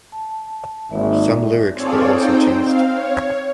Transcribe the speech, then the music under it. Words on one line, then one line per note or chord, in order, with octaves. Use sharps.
Some lyrics were also teased.
A5
G#1 A#3 D5 E5
C4 F4 G#4 A4 C#5 D5
C4 D#4 C5 G5
C4 F5
C#5